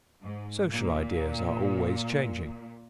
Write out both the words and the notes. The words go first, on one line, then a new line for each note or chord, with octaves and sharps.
Social ideas are always changing.
G#2
A#2